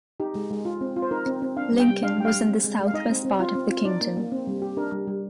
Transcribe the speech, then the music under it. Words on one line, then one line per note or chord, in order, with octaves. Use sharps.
Lincoln was in the south-west part of the kingdom.
D#4 G4
G#3
G#3
F4
C4
F4
C5
D#4 A#4
C4
C4
D4 F5
G3
G5
G3
D4 F5
G3 G5
F5
G3
C4
G#3
G#3
F5
D#4 D#5
C4
C4
F4
C4
F4
D#4 D5
A#3
A#3
C4
G3
G4
D4 A#4
G3
G3